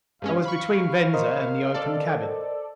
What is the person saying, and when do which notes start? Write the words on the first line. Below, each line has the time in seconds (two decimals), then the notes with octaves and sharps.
I was between Venza and the open cabin.
0.22 G2 G#3 C#4 F5
0.45 B5 C#6
1.13 A#4 C5 D#5
1.74 A4 D5